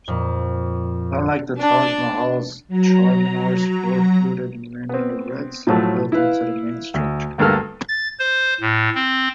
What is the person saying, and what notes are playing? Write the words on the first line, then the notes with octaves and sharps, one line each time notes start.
Unlike the Taj Mahal's, Charminar's four fluted minarets are built into the main structure.
F2 A#2
D4
F#3 A#5
B3 C4
A2 F3 F#3 A3
E4 B4 F5
D2
D2 G2 A#3 A4 F6
A6
C5
A2
C4